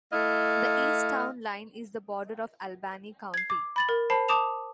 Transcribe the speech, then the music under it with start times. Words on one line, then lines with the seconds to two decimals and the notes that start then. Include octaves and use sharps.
The east town line is the border of Albany County.
0.12 A3 E4 D#5 F5
3.34 G#6 C7
3.50 D6
3.76 B5 A6 F#7
3.89 A#4
4.10 C5 A5 B5 C7
4.28 A5 D6 D#6 E7 F7